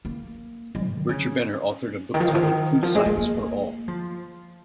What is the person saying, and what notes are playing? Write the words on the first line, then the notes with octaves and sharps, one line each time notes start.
Bircher Benner authored a book titled ""Food Science for All"".
A#3
G#3
G#2
D#3
C#3
D#3
F3
D#3
F3
D#3
F3
G#3
G#3
A#3
F3